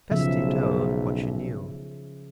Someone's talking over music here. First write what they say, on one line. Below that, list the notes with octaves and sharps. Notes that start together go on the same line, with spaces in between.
Kirsty told what she knew.
B1 C#3 F3 E5